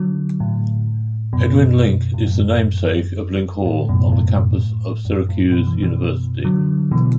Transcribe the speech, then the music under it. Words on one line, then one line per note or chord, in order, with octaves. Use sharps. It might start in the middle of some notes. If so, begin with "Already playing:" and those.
Edwin Link is the namesake of Link Hall on the campus of Syracuse University.
Already playing: D3 F#3
A2
F#2 B2
A2
F#2
A2
F#2 B2
A2
F#2
A2
F#2 B2
B2 E3
B2 E3
D3 F#3
B2 E3